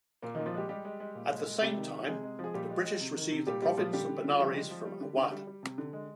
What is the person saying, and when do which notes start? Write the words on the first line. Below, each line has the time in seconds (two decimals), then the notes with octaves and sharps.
At the same time the British received the province of Benares from Awadh.
0.22 A#2 A#3
0.35 A#2 D#3 D#4
0.46 F3 F4
0.54 G3 G#3 G4
0.69 G3 G#3 G4
0.85 G#3
1.00 G#3
1.15 A#2
1.31 G#3
1.46 G#3
1.61 C3 G3 G4
1.77 D#3
1.93 G#3
2.08 C3 G#3 G#4
2.23 G#3
2.39 F3
2.44 G#4
2.54 A#2 G3 G4
2.70 G#3
2.85 G#3
3.00 C3
3.16 D#3
3.32 C3
3.47 A#2 G3 G4
3.62 G3 G4
3.78 A#2 F3 F4
3.93 D3 G3 G4
4.09 D3
4.24 D3 F4
4.39 F3 G3 G4
4.55 G#3
4.70 F3
4.85 G3
5.01 D3
5.17 D3
5.32 G3
5.47 G3
5.63 C3
5.78 D3
5.93 G#3